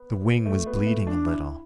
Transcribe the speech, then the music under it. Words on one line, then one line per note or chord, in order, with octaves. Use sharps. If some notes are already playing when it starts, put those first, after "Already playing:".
The wing was bleeding a little.
Already playing: B3
A3
B3
A3
D4
E4